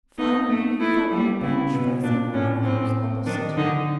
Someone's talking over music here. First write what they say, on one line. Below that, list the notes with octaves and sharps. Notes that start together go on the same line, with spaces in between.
Finally he fell on a bench facing another house opposite me.
B3 D#4
A3
A3 E4
G3
C#3 E4
B2
A#2 D4
A2 C#4
A2 C4
D#3 D4
D3 D#4